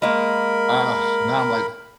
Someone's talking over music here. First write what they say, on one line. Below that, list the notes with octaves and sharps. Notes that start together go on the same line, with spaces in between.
Ugh, now I'm like
G#3 A#3 A#4 B5